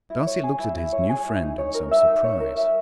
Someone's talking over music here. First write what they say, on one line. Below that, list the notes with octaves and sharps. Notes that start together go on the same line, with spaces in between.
Darcy looked at his new friend in some surprise.
E4
C#5
G#4
E4
E4
C#5
G#4
E4
D#4
C#5
A#4
E5
D#4
C#5
A#4
E5